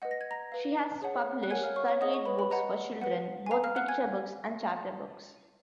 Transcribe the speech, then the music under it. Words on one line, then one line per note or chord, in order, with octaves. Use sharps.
She has published thirty-eight books for children, both picture books and chapter books.
B4 D#5 F#5
A#6
G#6
A#5 A#6
B4 F5
G#4 C#5 F#5
F#6
A#4 C#5 F#5 G#5 G#6
F5 F6
C#5 C#6
C#5 C#6
G#4 D#5 F#5 D#6
C#5 C#6
B4 B5
B4 B5
B4 D#5 F#5 A#5
B4 F#5
G#5
B4 F5 A#5
F5 F6
F#5 F#6
G#5 G#6